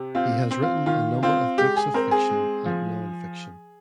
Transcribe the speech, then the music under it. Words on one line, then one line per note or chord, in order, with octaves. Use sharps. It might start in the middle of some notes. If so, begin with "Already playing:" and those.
He has written a number of books of fiction and non-fiction.
Already playing: C3
C4 F4
C4
F4
D#3 F4
C4 F4
G#3 G4
G#4
C4 A#4
G#4
G#3
F3